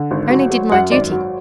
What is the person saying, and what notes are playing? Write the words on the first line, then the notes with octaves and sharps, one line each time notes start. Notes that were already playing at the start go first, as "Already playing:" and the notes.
'Only did my duty.
Already playing: D3
G#1
F#3
F#3
F#2 F#5
G#1 D5
F#3